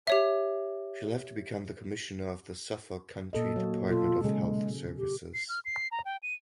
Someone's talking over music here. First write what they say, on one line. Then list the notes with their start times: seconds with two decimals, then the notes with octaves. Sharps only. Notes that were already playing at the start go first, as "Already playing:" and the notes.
She left to become the commissioner of the Suffolk County Department of Health Services.
0.07 G4 C#5 E5
3.33 A#2 A4 D#5
3.56 F#3 A#3 C#5
3.89 B2 F4 A4
4.23 A#2 C#3 G#3 G#4
4.98 G4
5.34 C7
5.49 F6
5.65 C7
5.92 A#5
6.05 G5
6.23 D#7